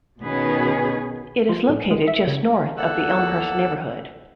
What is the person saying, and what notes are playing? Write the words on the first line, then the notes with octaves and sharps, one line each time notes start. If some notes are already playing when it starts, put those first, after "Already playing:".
It is located just north of the Elmhurst neighborhood.
B2 D#3 C#4 G#4 B4
F3
A2
G#3
E5
C#3
E2 A#3 A4 F#5 E6 F#6